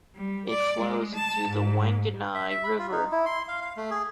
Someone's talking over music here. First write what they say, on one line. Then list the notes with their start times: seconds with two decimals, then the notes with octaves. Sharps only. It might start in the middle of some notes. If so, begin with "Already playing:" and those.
It flows into the Wanganui River.
0.14 G3
0.49 D5
0.79 G#3
1.13 A5
1.48 G#2
2.35 E5
2.50 E5
2.64 B5
2.79 F4
2.91 D#4
3.12 E4
3.26 C6
3.48 F5
3.62 F5
3.77 A3
3.91 G#4